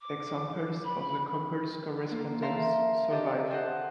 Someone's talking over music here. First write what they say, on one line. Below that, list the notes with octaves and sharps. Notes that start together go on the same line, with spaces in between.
Examples of the couple's correspondence survive.
D6
B5
A#3 F4
A#4 E5 F5 A5 A#5 C6
D4 G4 A4 D#5 E5 A5
A4 C5 D#5 F#5